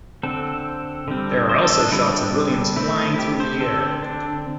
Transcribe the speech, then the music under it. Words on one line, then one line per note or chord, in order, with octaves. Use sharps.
There are also shots of Williams flying through the air.
D3 C4 A4
D3 G3 C4
C5
A4
D4
D3 G3 C4 E4
D4
D3 A3 C4 E4
E4
G4
C5
D3 C4 A4
D4